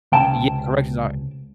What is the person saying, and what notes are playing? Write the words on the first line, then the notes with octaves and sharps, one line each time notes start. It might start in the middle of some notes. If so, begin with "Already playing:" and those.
yeah, corrections are
C#2 C3 C#4 G5 A5